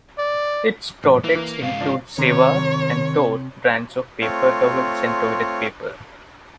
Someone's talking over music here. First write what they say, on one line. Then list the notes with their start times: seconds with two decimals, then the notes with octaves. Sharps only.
Its products include "Zewa" and "Tork" brands of paper towels and toilet paper.
0.18 D5
1.04 A1
1.24 E3 A#3
1.35 E3
1.62 G#2 C#3 F5
1.81 F3 D4
2.18 C3 D#3 C#5
4.21 A3 C4 F4 C#5